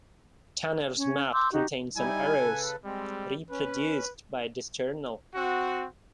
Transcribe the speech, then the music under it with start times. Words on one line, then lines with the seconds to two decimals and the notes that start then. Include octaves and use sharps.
Tanner's map contained some errors, reproduced by Disturnell.
0.96 C#4
1.33 C6 D6 E6 G6
1.52 D#4 F#4 G4
1.97 G3 D#4 E4 G#5
2.39 C#3 A4 B4
2.85 G3 G#3 C4
3.51 C#4 B4
5.35 C4 F#4